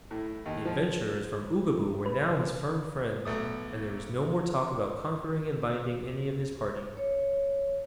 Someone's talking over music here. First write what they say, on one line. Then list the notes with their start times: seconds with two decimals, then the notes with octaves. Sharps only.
The adventurers from Oogaboo were now his firm friends, and there was no more talk about conquering and binding any of his party.
0.11 A2
0.46 D#2
0.65 F3
2.06 B4
3.25 B1 A3 D#6
6.97 C#5